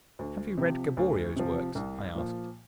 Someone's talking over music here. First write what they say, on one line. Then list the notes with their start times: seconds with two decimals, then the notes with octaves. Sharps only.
"Have you read Gaboriau's works?" I asked.
0.19 D2
0.57 C3 F3
0.97 D2
1.36 C3 F3
1.75 C2
2.15 A#2 F3